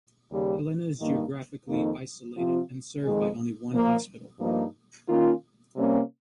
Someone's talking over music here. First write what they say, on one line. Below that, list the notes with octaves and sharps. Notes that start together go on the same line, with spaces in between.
Helena is geographically isolated and served by only one hospital.
D#2 C#3 G3
G2 D#3 A#3 D#4
F2 D#3 A#3 D#4
C3 F3 C4 F4
F2 D#3 G#3
A#2 F3 A#3
G2 F3 A#3 D#4
D#3 A#3 C#4 F4
C3 G3 A#3 C#4